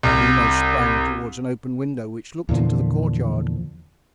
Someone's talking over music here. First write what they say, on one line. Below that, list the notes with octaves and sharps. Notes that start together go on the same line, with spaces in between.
Grimaud sprang toward an open window which looked into the courtyard.
C2
E2 A#2 D3 F3